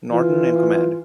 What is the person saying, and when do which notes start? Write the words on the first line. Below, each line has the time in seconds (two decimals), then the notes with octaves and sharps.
Norton in command.
0.11 E3 F4